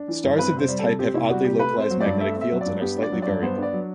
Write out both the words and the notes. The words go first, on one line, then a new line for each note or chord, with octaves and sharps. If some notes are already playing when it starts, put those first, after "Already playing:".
Stars of this type have oddly localised magnetic fields and are slightly variable.
Already playing: D4
E3
G2
C4 B4
C3
C5
G3
C3 A4
C4 G4
C3 E4
G3 F#4
C3 G4
A3 B4
C4 C5
F#3
D5
G2
A3 E5
C4
E5
F#3
D5
G2
B3 G4
D4
D5
F#3
G2 D5
B3 C5
D4
D5
F#3